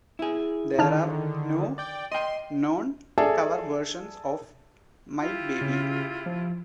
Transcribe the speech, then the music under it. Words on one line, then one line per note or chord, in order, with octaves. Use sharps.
There are no known cover versions of "My Baby".
E4 G#4
D3 D#3 D#4 A5 F6
D5 G5
D#5 G5 C6
G#4 A4 D5 E5 G#5 A5
E4 F4 G4
C#3
F3